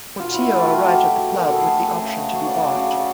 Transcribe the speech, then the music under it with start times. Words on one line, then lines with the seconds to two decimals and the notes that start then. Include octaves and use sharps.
Portillo arrived at the club with the option to be bought.
0.19 B2 F4
0.34 F#3 E4
0.49 A3 F4
0.64 B2 G4
0.76 F#3 F#4
0.87 G4
0.95 B2
1.10 F#3
1.25 B2
1.34 A#4
1.40 B2 A4
1.55 A3 G#4
1.71 A3
1.86 A3
2.01 C#3
2.16 C#3
2.31 F#3
2.46 C#3 D5
2.61 C#3
2.77 C#3
2.92 C#3